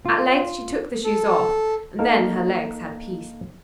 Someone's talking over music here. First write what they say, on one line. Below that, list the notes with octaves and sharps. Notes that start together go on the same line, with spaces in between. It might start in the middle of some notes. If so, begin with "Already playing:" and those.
At length she took the shoes off, and then her legs had peace.
F4
A4
A#3 D#4 A4 A#4 F5